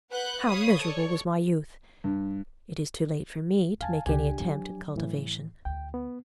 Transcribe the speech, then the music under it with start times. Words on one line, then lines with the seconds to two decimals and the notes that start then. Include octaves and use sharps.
How miserable was my youth! It is too late for me to make any attempt at cultivation.
0.11 B4 F#5 F#6 G6
0.45 C#5 F5 B5 D#6
0.81 A4 C#5 D5
2.04 G2
3.81 E2 D3 F5 G#5 A5
4.06 C#2 C#3 D4 G4 G#5
4.40 F3 F#3
4.96 A2 E3
5.65 D2 G5
5.94 B3